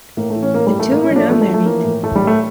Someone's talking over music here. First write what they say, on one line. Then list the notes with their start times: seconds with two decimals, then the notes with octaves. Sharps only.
The two are now married.
0.17 A2 A#3
0.30 A3
0.36 E3
0.42 C#4
0.54 A2 A#3
0.67 G3
0.73 A2
0.79 A3
0.91 A2 A#3
1.03 C#4
1.10 F3
1.16 D4
1.29 F3 A3
1.41 A3
1.47 F3
1.54 A3
1.65 E3 A#3
1.84 A2
2.03 A2 A3
2.16 G3
2.21 A2
2.27 A3